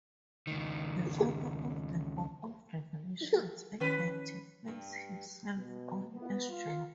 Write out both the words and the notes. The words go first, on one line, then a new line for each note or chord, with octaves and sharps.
The author of the Book of Revelation identifies himself only as "John".
C#2 D#3
D#3 C#4 B4
G2
B2
B3
F4